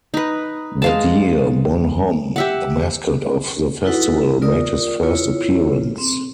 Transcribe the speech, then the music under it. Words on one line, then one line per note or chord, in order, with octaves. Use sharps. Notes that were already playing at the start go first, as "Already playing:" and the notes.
That year "Bonhomme", the mascot of the festival, made his first appearance.
D#4 B4
G#3 F5 A5
G4 E5 F#5
D#4 E4 F#4 A4 B4 F#5
F4 A#4 D5 D#6
E4 F4 C#5
C4